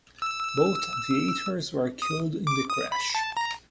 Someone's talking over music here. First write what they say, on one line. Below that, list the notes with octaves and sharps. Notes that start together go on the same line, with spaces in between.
Both aviators were killed in the crash.
E6
D#6
D6
D#6
B5
A5
A#5